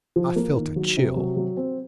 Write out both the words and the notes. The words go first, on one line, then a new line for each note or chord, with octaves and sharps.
I felt a chill.
F3
A#3
D#3
F#3
C3
F#3
F#3
C4